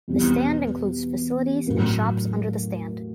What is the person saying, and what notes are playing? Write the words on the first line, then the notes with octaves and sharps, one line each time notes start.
The stand includes facilities and shops under the stand.
E2 B2 G3 C4 E4
A2 F#3 A#3 C#4